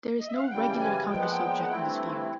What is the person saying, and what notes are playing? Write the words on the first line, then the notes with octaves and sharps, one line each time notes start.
There is no regular counter-subject in this fugue.
D#5
E5
F5
F#5
F#2 C#3 E3 G3 G5
G5
G#5
A#2 F3 G#3 B3 G5
F#5
G5
F#5
G2 E3 A3 C4 E4 G5